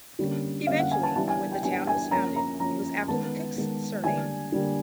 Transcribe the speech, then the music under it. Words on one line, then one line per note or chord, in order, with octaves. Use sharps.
Eventually when the town was founded it was after the cook's surname.
D3 G3 A#3 C#4
D3 G3 A#3 C#4 F5
F#5
G#5
A5
E3 G3 B3 D4 A5
G#5
G5
E3 G3 B3 D4 G#5
G#5
F3 A#3 C#4 A#5
A#5
F3 A#3 C#4 A#5
D#3 G#3 B3 A5
D#3 G#3 B3
D3 G3 A#3 D4 G#5
D3 G3 A#3 D4